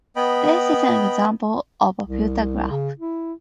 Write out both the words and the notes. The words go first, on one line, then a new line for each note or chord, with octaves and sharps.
This is an example of a filter graph.
B3 D#5 G5 B5
C2
C#3
E4